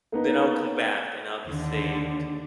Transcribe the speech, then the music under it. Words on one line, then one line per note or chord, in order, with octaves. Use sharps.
then I'll come back and I'll be saved.
A#3 B3 D#4
D#2 D3